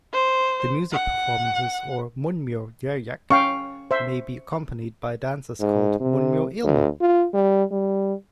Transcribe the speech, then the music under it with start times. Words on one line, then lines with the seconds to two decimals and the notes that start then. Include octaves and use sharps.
The music performances or "munmyo jeryeak" may be accompanied by dances called "munmyo ilmu".
0.13 C5
0.93 F#5
3.30 C#4 F5 G5 C#6
3.91 C5 E5
5.60 G#2
6.00 C3
6.63 D2
7.01 F4
7.34 G3
7.71 G3